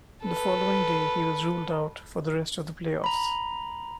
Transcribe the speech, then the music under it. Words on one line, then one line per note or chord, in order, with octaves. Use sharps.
The following day, he was ruled out for the rest of the playoffs.
A4 B4
A#5 B5